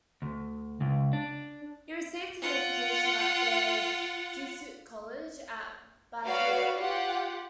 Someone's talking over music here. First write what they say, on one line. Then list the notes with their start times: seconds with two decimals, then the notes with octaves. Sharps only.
He received his education at the Jesuit college at Bahia.
0.22 D2
0.81 C#2
1.13 D4
2.41 F4 F#5
6.24 F#4 B4 C#5 D5 F5
6.76 F4 G4 F#5